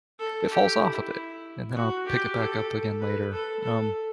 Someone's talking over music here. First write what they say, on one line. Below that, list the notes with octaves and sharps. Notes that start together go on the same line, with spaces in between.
it falls off a bit, and then I'll pick it back up again later. Um,
A4
G4
E4
F#4
G4
A4
B4
A4
A4